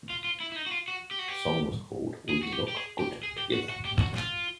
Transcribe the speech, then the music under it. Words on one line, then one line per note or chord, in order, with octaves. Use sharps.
The song was called "We Look Good Together".
F4
F4
E4
E4
D#4
F#4
F4
F#4
G4
F#4
G4
G#4
F#4
G4
G4
G#4
G4
G#4
G4
F#4
F#4
G4
F#4
F4